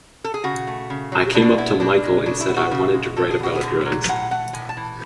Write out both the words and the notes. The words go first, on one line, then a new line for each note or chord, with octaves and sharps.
I came up to Michael and said I wanted to write about drugs.
A4
G#4
C#3 F#4
A3
C#3
F#3
B2 D4
B3 E4
B2 D4
G#3
C#3 D4
E4
B3
F#4
C#3
G#3
D3 A4
G#4
B3 F#4
G#4
D3
F#3
A2 F#5
A3 F#5
A2 G#5
A5
E3